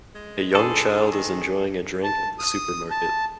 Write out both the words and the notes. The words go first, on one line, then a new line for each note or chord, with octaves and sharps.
A young child is enjoying a drink at the supermarket.
G#3
D3 G#4 A4
D#3
A5
D#6
A5